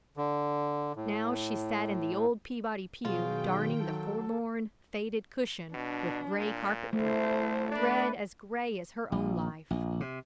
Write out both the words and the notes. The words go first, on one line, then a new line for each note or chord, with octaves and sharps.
Now she sat in the old Peabody pew darning the forlorn, faded cushion with grey carpet-thread: thread as grey as her own life.
D3
A2
B2 D#3 F#3 F4 G#4 G5
F#3 A4
B2 D4
A#2
C2 A3 E4 C5
D4 B4 D5
A#1
A#1
C3